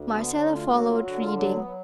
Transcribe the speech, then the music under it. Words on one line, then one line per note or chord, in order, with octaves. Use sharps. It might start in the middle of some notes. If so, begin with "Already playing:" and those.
Marcella followed, reading.
Already playing: D2
D3 B3
C#4
D2
F4
F#3 F#4
F4
D3 F#4
F4
F#3 D4
B3
F#3